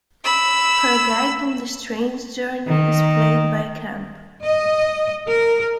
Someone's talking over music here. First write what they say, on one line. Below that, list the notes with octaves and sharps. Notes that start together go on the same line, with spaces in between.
Her guide on this strange journey is played by Kemp.
B5 E6
D#3
D#5
A#4